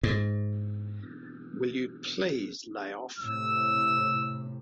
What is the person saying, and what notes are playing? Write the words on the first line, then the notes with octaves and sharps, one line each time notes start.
Will you please lay off?
G#2
A2 C3 E6